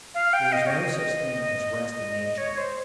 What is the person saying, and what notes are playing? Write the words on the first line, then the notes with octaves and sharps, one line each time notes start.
There is no such thing as rest in nature.
F5
G5
D#5
C#5
D#5
C#5
C5